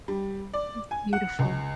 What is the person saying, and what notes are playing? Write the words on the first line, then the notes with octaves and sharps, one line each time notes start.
It's beautiful.
G3
D5
G#5
F#5
C#2